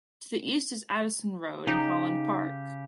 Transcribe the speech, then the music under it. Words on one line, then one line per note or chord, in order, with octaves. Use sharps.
To the east is Addison Road and Holland Park.
C#3 D#4 G4